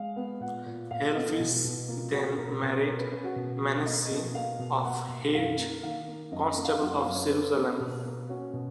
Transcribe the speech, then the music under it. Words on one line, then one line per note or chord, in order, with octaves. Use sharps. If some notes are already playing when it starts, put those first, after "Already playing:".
Helvis then married Manasses of Hierges, Constable of Jerusalem.
Already playing: G#3 F5
B3
A#2 F#5
A#2
A#2 F5
B3 D#5
B2
B2
A#3 F4
B2 F#4
B2 A#4
B2
C#4 A#4
B4
C#4 B4
F#4
B2
B2
A#3 D#5
B2
A#3 F5
B2
A#3 F#5
B2
F#2 F5
A#3
D#3 F5
A#3
F#2 D#5
D#5
A#3
F5
F#2 F#5
F5
F#2
C#5
C#4 B4
A#3
B2
A#3
C#4 F#4
B2